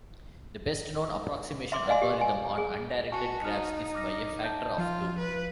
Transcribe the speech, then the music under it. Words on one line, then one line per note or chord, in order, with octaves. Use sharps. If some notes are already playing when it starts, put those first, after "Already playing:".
The best known approximation algorithm on undirected graphs is by a factor of two.
E5 C6 D6
D5 D#5 F5 G#5 C6
G4
G#5
G#4
F#4 G#5 A5 C#6
D#4 F6
D6 F6 A#6
A5 G6
F3 F4
B4